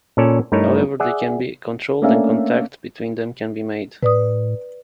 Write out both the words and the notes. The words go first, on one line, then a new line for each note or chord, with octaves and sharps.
However, they can be controlled, and contact between them can be made.
A#2 C#4 A4 C#5 D5
G2 A3 D#4 E4 A#4 C#5
G#4 D5 E5 F#5
A3 A#3 C#4 D4 E5 F5
A2 B4 D5 D#6